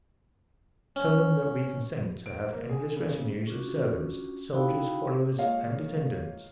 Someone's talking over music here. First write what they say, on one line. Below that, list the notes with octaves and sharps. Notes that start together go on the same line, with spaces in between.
Tell them that we consent to have endless retinues of servants, soldiers, followers, and attendants.
C#4
D7
A#3
G#4
C#3
C#4 D4 F4 F#4
D#4 E4 F#4 F5 G5 B5
G#3 A#3 F4 C#5 D#5 F5